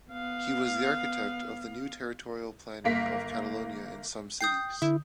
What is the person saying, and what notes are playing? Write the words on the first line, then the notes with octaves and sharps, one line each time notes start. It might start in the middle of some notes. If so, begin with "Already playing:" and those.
He was the architect of the new territorial planning of Catalonia and some cities.
B3 F5
G1 A#3 B6
G5 D#6 G6 C7
D3 E4